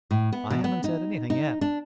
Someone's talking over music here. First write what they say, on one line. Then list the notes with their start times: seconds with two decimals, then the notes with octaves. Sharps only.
"I haven't said anything yet."
0.11 A2
0.32 B3
0.50 B2
0.64 B3
0.84 D#4
1.30 D#4
1.61 D4